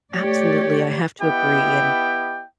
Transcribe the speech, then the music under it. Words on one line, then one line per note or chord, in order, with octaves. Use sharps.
Absolutely, I have to agree, and
A3 G4 C#5 D5
B3 E4 G4 D#5 G5